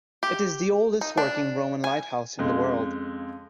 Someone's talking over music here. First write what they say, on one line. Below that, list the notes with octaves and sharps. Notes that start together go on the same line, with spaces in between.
It is the oldest working Roman lighthouse in the world.
G4
D#4
D4
G#5
F2 C#3 G#3